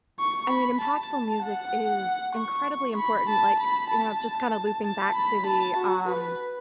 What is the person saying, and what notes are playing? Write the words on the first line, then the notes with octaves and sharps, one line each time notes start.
I mean, impactful music is incredibly important, like, you know, just kinda looping back to the, um,
C#6
B5
A5
F#5
C#6
B5
A5
B5
A5
A5
B5
A5
F#4
B4